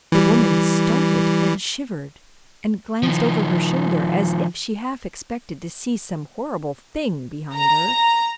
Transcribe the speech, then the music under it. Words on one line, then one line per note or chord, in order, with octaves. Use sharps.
The woman started and shivered, and glanced over her shoulder as if she half expected to see some horrible thing behind her.
E3 G3
D#3 F3
A#5